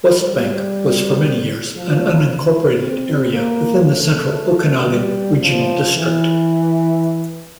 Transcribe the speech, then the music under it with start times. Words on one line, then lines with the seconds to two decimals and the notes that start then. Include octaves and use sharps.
Westbank was for many years an unincorporated area within the Central Okanagan Regional District.
0.18 G3
1.76 F3
2.81 C4
3.33 A#3
3.86 A3
4.90 G3
5.42 F3
5.95 E3